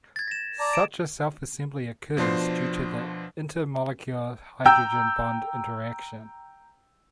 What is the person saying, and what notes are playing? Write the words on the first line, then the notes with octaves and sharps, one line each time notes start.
Such a self-assembly occurs due to the inter-molecular hydrogen bond interaction.
G#6 A6
A#6 E7
D5 A5 A#5
D7 E7
B2 F3 D4 C5 C7
G5 A#5 E6 G6